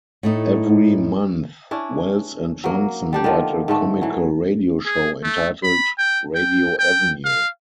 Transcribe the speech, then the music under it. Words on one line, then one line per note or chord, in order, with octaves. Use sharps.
Every month, Wells and Johnson write a comical radio show entitled Radio Avenue.
A2 A3 D#4
C#4 D4 E4
F#3 A#3
G3 D4 G4
D3 D#3 F3
G#2 D3 A3
E3 F#3
G#4
A3
B5
G5
G5
G5
F5